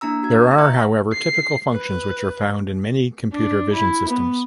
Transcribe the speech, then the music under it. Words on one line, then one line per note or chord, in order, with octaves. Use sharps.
There are, however, typical functions which are found in many computer vision systems.
A#3 D4 E4 A#5 E6
F#4 G#6
E4 E5 A#5 C#6
C7
B4
D4
E4
B3